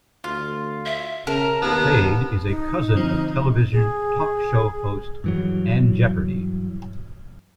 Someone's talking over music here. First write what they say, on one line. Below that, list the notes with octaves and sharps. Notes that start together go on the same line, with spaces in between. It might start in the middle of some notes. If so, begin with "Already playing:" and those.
Haid is a cousin of television talk show host and Jeopardy!
D2 F4
E5
C#3 A#4 A5
D#2 C3 A#3 B3
D#4
D3 F3 C4
G#4
G2 E3 F#3